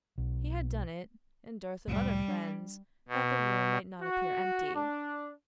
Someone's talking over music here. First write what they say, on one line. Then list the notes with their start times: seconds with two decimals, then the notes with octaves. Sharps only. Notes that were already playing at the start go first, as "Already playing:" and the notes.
He had done it, in dearth of other friends, that the room might not appear empty.
0.18 B1
1.88 C2 F2 A2 G3
2.28 D4
3.08 B2
4.02 F#4
4.76 D4